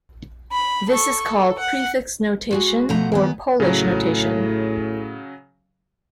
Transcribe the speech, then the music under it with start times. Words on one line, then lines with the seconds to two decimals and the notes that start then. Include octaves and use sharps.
This is called "prefix notation" or "Polish notation".
0.52 B5
0.90 A4 C#6
1.26 A4
1.59 F#5
2.51 G#3 F#4 G#4
2.89 B2 F3 A3 F#5 A#5
3.12 D#3 G#3 B3
3.60 A2 C#3 F#3